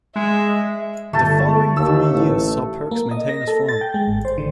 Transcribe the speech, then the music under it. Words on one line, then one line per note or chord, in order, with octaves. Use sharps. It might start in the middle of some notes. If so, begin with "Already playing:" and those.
The following three years saw Perks maintain his form.
G#3 E5
G1 D3 A3 A5
D#2 E6
A1
A#3
D#5
A#6
A4
A6
G5
G#3
G#1
C5
D3